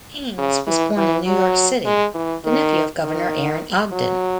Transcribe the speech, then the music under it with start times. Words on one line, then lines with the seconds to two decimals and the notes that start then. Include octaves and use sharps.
Haines was born in New York City, the nephew of Governor Aaron Ogden.
0.38 C#3
0.67 E3
0.97 E3
1.26 F#3
1.85 G#3
2.14 E3
2.45 D#3
3.04 D#3
3.92 F#3